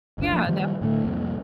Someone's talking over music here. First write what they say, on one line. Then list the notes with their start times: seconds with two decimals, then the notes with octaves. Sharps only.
Yeah, definitely.
0.18 F#1 C#2 D4
0.33 F3 A#3
0.46 A#2 D#3 F3 G3
0.81 A2 D3 A3
1.04 C2 F2 A#2